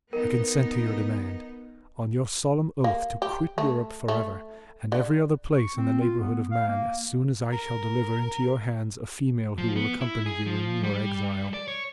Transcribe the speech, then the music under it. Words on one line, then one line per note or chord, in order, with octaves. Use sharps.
"I consent to your demand, on your solemn oath to quit Europe forever, and every other place in the neighbourhood of man, as soon as I shall deliver into your hands a female who will accompany you in your exile."
B3 D#4 A#4
A#3
G4
A3
A3
D3
C#6
C4
F4
B3
F5
A#3
A#4
F3
B3
E4
G#4
F3
G3
D5
C#5